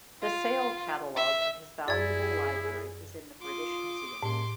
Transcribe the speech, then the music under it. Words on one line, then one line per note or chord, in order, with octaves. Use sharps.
The sale catalogue of his valuable library is in the British Museum.
F4
E5
F#2 E4 G#4 D5 G#6
F4 C6 D6 D#6
A2 G#3 A#3 C#4 C6